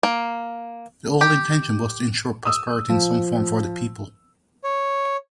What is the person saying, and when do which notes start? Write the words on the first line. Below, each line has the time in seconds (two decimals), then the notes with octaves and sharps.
The old intention was to ensure prosperity in some form for the people.
0.03 A#3
1.21 G4
2.45 D#6 E6
2.89 F3
4.64 C#5